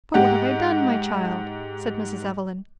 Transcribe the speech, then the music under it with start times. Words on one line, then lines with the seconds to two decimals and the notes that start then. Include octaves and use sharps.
"But what have I done, my child?" said Mrs. Evelyn.
0.14 G#2 G4 F#5